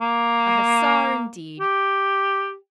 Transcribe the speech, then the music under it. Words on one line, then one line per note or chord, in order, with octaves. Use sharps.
A hussar indeed!
A#3
G4